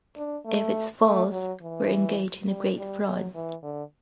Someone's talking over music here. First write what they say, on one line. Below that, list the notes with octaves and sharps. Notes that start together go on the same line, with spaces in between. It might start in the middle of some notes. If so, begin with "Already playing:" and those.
If it's false, we're engaged in a great fraud.
D4
A3
A3
F#3
E3
G3
G3
F#3
E3
D3